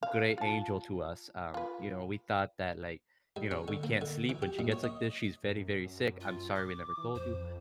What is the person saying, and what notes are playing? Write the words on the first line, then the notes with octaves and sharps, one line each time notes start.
great angel to us." Um, you know, "we thought that like" you know, "we can't sleep when she gets like this. She's very, very sick. I'm sorry we never told you."
F5
F4 A5
F4 B4
G2
C#4
D3
A#3
D3
E3
G4
A#2
C#5
D#5
F#2
F4
D6
E3
F2 C5